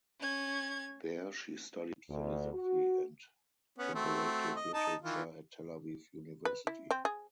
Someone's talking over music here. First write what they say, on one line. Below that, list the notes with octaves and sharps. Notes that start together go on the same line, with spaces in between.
There she studied philosophy and comparative literature at Tel Aviv University.
C#4 G#6
D2
F#4
B3 C#4
A3 C4 F#4
D#5
D#4 D#5 A5
D#3 E3 F4
B4
E4
C4
G#4